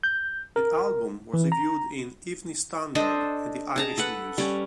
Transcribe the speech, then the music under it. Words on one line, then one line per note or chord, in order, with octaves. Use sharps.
The album was reviewed in "Evening Standard" and "The Irish News".
G6
A#4
E3
A#5
D4 A4 C5 D#5
G#4 A5 A#5
A4 B4 F#5
G3 C#4